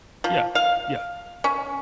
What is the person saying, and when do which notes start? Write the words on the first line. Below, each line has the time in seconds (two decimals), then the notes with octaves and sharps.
yeah, yeah.
0.24 F3
0.55 F5
1.44 C#4